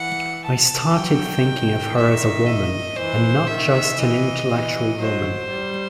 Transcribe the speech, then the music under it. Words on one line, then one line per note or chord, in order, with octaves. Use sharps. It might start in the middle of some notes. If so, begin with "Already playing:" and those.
I started thinking of her as a woman, and not just an intellectual woman.
Already playing: E3 F#5
A5
F#3 G5
D#3
E5
D#5
E3 C5
D#3 E5
E3 D#5
E3
F#3 C5
G3